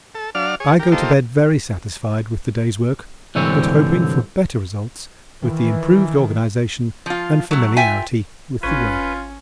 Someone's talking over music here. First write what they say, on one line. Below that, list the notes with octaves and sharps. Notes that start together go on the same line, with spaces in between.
I go to bed very satisfied with the day's work, but hoping for better results with the improved organisation and familiarity with the work.
A4
F#3 D4 D5 F5 F6
G#4 C#5
G4 A#4
A#3 D#4 F4 G4 A4 C5
C2 G#2 D3 E3 C4 C#5
D#3 E3
F3 F4
F#3 A3
F4 E5 G5 G#5
G#1 C#4 F4 B4 C#6 G#6